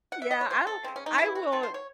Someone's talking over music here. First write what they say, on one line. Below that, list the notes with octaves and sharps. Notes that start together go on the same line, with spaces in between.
Yeah, I will I will
F#5
E5
D#5
C#5
C3 F#3 C5
A4
C#3 G#3 C4
C#4
D#4
C#3 E3 G#3 E4
F#4
D#3 F#3 A3 A4
C5
C#5